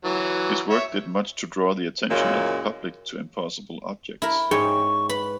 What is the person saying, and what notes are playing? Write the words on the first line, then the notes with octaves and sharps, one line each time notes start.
His work did much to draw the attention of the public to impossible objects.
E3 F#3
C#5 E5
F#2 A#2 E3 F#3 G#3 A#3
E4 A#4
G#2 G#4 C#5 G5 C#6
B4 B5